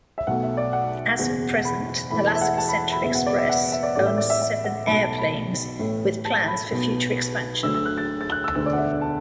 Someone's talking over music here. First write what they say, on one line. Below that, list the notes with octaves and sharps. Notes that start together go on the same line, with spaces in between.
As of present, Alaska Central Express owns seven airplanes with plans for future expansion.
E5
B1 B2 A3 F#5
E5
D5
F#5
F#1 E2 B2
B5
E1 E2 E3 A3 B5
A5
E5
F#5
A5
B5
B5
F#1 E2 B2 B3 E5
F#5
D5
E5
F#5
E5
D5
A1 A2 A3 D5
E5
D5
E5
E5
F#5
B1 B2 A3 B5
A5
B5
A1 A2 A3
A5
B5
B1 B2 B3
D2 D3 F#3 A3 E6
E6
F#6
A6
A6
F#6
E6
E1 D2 D3 A3 E6
D5
F#5
E5
A5